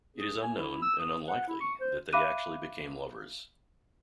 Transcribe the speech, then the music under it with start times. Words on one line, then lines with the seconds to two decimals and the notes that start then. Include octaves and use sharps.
It is unknown, and unlikely, that they actually became lovers.
0.16 G#4
0.43 G#5
0.58 E4
0.82 E6
0.99 D#6
1.28 F#5
1.48 E4
1.60 C#6
1.80 C5
2.13 E5 F5 B5 D6 F#6 D#7